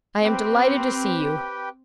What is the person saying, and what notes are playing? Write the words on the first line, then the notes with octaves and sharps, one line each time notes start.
I am delighted to see you.
C4 G4 B4 G5